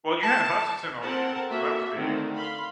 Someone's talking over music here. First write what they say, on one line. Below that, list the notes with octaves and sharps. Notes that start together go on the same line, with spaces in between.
Well, you had Hutchinson all year, so that was big
A5
C4 A4 A#4 C5 F#5 A5
A#3 F#4 A4 E5
D3 D#3 A3 C4
F5 B5 C6